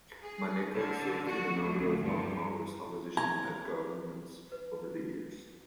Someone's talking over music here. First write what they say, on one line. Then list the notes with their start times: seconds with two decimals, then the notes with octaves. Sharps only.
Maneka served in a number of non-Congress opposition-led governments over the years.
0.22 G#4
0.75 D3
1.27 F#4
1.60 D2
2.03 G2
3.17 A#5 G#6
4.52 B4